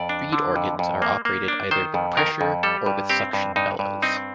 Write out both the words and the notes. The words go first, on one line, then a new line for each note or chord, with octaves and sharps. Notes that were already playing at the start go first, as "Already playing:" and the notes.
Reed organs are operated either with pressure or with suction bellows.
Already playing: F2 D5
D4
D3
F2
F2
A#3
A#3
D4
D#3 C5
F2
D#3 A#4
F2
G3 A4
G2
C4 G4
G2
G2 D#4
G2
C4 D#4